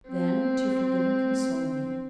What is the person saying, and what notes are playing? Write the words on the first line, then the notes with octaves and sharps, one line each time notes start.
"Then to forgive and console me."
C4